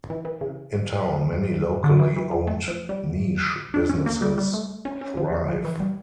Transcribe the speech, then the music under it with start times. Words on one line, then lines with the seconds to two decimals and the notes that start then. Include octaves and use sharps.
In town, many locally owned niche businesses thrive.
0.10 E3
0.25 E3
0.41 C#3
1.84 D3
1.99 E3
2.16 E3
2.31 F3
2.47 A3
2.68 F3
2.89 G3
3.74 D4
3.89 C#4
4.06 A#3
4.22 G3
4.38 G3
4.54 A3
4.85 C#4
5.01 C#4
5.17 F3
5.33 F3
5.49 F3
5.65 E3
5.80 G3